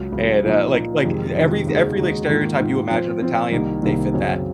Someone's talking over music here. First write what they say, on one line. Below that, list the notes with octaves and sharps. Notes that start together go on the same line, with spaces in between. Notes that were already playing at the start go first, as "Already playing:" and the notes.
And, uh, like like every every like stereotype you imagine of Italian, they fit that.
Already playing: C#2 C#3 F#3
C#2 C#3 F#3
A#2 F3 A#3 D#4
A#2 F3 A#3 D#4
F2 C3 D#3 G#3
F2 C3 D#3 G#3
D#2 C#3 G#3 D#4 F#4
D#2 C#3 G#3 D#4 F#4
G#2 D#3 A#3 F4
G#2 D#3 A#3 F4
F3 C4 F4 C5
F3 C4 F4 C5
C2 C3 D#3 A#3 D#4
C2 C3 D#3 A#3 D#4
F#2 C#3 F#3 C4